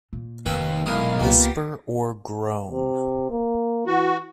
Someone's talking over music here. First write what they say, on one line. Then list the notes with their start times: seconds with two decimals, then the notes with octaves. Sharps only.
Whisper or groan.
0.13 A#2
0.46 F1 D#2 B4 F5 G5
0.86 B1 G#3 D#4 E4 A#4 F5
1.19 C#2 A#3 B3 F4 G4 B4
2.70 C3
3.30 A#3
3.87 E3 F#4